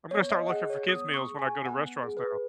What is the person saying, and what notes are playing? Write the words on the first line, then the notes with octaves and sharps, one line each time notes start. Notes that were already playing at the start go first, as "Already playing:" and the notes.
I'm gonna start looking for kids meals when I go to restaurants now.
B3 C#5
D#5
G#4 F#5
C#5
B3 D#6
C#6
G#4
G#5
B3 F#5
G#4
B4